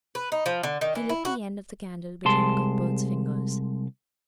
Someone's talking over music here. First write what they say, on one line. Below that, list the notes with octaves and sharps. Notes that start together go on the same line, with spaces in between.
He lit the end of the candle between Cuthbert's fingers.
B4
D#4
F3
D3
D#3
E3
E4
F#4
C2 G#3 A5 C6